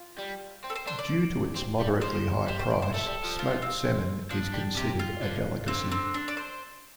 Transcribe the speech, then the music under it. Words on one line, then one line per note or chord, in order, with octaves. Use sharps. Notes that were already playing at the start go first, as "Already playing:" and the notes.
Due to its moderately high price, smoked salmon is considered a delicacy.
Already playing: F4
G3
C4
A4
C5
D4 C5
D5
C4
G3
F3 C5
G3 C5
C5
D5
C5
A3 A4
G3
F3
F4
C4
F3 D4
G3
C3 G4
F4
D3
D3 C4
C4
D4
D5
C5